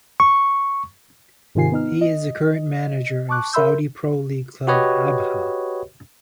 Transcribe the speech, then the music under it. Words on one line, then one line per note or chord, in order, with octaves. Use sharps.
He is the current manager of Saudi Pro League club Abha.
C#6
G#2 C3 D#3 F4 G#5 C7
B3 D#4 F6
D#5
A5 C#6 D6 F#6
A#4 E5 B5 C6 E6 G6
F#4 G4 B4 C#5 D#5